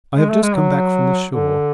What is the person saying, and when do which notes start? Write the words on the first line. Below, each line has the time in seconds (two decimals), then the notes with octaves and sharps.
I have just come back from the shore.
0.17 G#3
0.30 A3
0.43 G#3
0.56 F#3
1.33 D3